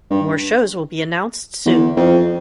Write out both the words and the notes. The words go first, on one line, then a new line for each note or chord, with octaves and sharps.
More shows will be announced soon.
G2
E2
F2